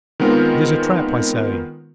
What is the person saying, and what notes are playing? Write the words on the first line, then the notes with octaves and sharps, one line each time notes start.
It is a trap, I say.
D#3 G#3 B3 C4 F4 A#4